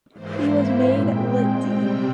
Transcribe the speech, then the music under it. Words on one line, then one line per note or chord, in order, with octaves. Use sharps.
He was made Litt.D.
G#2 E3 A#3 E4 C5
E5
A#2 G#3 C4 G5
C3 G3 C4 G5